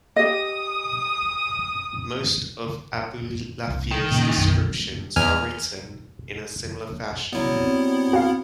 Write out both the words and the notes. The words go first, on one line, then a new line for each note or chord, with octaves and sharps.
Most of Abulafia's descriptions are written in a similar fashion.
G4 D#5 D#6
C2
D#3
A#2 C#3
B1 F#2 B2
E2 G#5 F6
C#3 F#3 G3 B3 E4
C4
F#4 F5